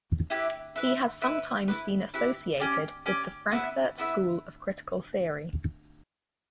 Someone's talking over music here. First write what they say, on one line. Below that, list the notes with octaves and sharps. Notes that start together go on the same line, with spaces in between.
He has sometimes been associated with the Frankfurt School of critical theory.
E4 G4 B4
E4 B4 E5
E4 B4 E5
E4 G4 B4
E4 G4 B4
C#4 G4 D5
C#4 G4 D5
B3 E4 B4 E5
B3 E4 B4 E5